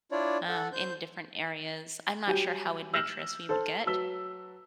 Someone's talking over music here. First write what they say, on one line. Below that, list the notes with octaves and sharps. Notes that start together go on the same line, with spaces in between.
um, in different areas. I'm not sure how adventurous we would get
D4 E4 F4 C#5 D5
A4 F#5
C5 G6
F#3 G3 G4 G#5 G6
E6 F6 G6 A#6 E7 F#7
A4 C5 A5 E6
F#3 B4 A5 E6 B6 G7